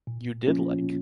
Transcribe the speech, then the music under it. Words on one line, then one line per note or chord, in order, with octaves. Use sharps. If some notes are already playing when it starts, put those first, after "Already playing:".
You did like.
A#2
F3 A#3 C#4 F4